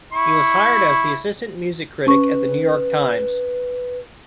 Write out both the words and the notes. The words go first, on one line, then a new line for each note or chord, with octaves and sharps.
He was hired as the assistant music critic at "The New York Times".
E4 C#6
C#4 B4 C#6